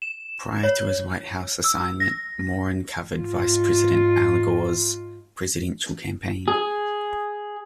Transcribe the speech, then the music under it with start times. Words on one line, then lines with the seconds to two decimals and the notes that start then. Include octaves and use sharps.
Prior to his White House assignment, Moran covered Vice President Al Gore's presidential campaign.
0.02 E7
0.63 C#5
1.64 E6
2.00 A#6
3.14 G#2 F4
6.48 G#4